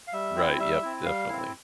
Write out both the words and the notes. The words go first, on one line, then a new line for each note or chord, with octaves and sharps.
Right, yep, definitely.
F5
G3 E5
C4 E4
G3 E5
C4 E4
G3 F5
C4 E4